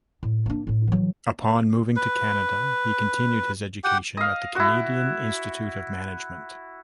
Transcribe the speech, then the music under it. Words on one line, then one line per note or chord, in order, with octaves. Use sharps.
Upon moving to Canada, he continued his education at the Canadian Institute of Management.
A2
A#3 D4
A2 E4
E3 F#3
B4
G4 F#5 G5
D#5 F5
E4 F#4